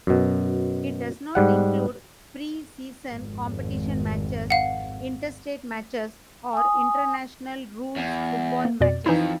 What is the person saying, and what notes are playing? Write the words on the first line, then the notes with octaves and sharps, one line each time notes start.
It does not include pre-season competition matches, interstate matches or international rules football matches.
F#2 B2
G#2 G3 F#5
G#1 F2
F5 F#5
G#5 D#6
E2
A#3
F2 B2 D5
F2 E3 D#4 E4